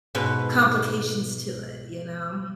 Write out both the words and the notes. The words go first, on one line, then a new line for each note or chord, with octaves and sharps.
complications to it, you know?
G#2 B2 B3 B4